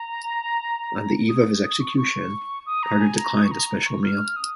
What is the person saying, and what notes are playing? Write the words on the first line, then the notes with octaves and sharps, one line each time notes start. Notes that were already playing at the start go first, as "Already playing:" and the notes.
On the eve of his execution, Carter declined a special meal.
Already playing: A#5
D#6
D#6
C#6
C#6
D#6
A#5
G#5
A#5
D#6
C#6
A#5
A#5
C#6
F6
D#6